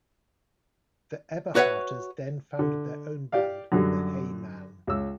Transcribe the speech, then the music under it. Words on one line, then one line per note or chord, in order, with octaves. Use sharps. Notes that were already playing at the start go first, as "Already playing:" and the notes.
The Eberharters then founded their own band, the Hey Mann!
F#4 B4 C#5 E5 F#5
D3
G4 D5 F5
F#2 D3 F#3 G3
C#2 E6